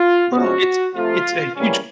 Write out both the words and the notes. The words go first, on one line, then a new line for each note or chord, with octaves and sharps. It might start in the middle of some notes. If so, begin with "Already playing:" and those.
Well, it's i it's a huge
Already playing: F4
C3 F3 G#3 C#4 F#4
C3 F3 A3 F4
C#3 E3 G3 A#3 C#4